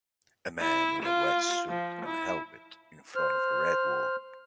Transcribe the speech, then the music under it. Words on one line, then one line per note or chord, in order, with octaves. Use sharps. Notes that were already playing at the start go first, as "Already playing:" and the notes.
A man in a wetsuit and helmet in front of a red wall.
E4
F4
F3
E4
C5 F6